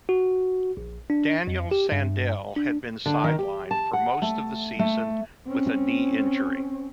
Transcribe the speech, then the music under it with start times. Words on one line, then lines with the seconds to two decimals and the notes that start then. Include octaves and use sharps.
Daniel Sandell had been sidelined for most of the season with a knee injury.
0.09 F#4
0.77 A#1
1.10 D4
1.47 F2
1.71 G4
1.92 G2
2.56 D4
3.06 D3
3.24 D#3
3.39 G4
3.71 A5
3.93 F#5
4.22 A3
4.79 A3
5.47 C4 C#4